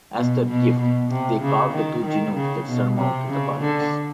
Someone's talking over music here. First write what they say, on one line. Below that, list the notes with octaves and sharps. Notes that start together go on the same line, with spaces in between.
As their gift, they carved the two gnomes that surmount the columns.
B2
B2
B2
C3
C#3
D#3
D#3
C#3
B2
C3
C#3
D3